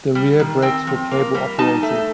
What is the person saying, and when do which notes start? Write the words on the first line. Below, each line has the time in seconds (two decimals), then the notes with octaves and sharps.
The rear brakes were cable-operated.
0.15 G3
0.39 D#3
0.62 C4 G5
0.87 F3
1.11 A#3
1.34 G3
1.59 D#4 A5
1.83 A3